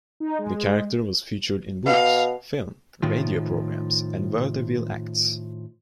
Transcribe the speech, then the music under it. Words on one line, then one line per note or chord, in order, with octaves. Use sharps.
The character was featured in books, film, radio programs and vaudeville acts.
D#4
G#3
B2 F5
A2 D#3 F3